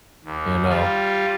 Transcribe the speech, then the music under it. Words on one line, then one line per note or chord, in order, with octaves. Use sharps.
you know
D#2
G3 F4